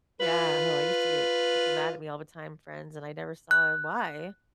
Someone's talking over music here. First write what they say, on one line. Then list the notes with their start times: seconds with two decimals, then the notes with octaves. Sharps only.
Yeah, oh, I used to get people mad at me all the time, friends, and I never saw why
0.20 F4 B4
3.51 F#6